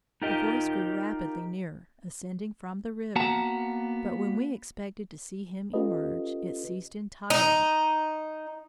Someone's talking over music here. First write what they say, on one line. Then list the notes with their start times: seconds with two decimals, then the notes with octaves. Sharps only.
The voice grew rapidly nearer, ascending from the river, but when we expected to see him emerge, it ceased entirely.
0.22 D#4 F4 G4 A#4 D#5
3.16 A#3 B3 F#4 F#5 A5 A#5
5.74 C#4 F4 G4 A4 B4 D#5
7.30 D#4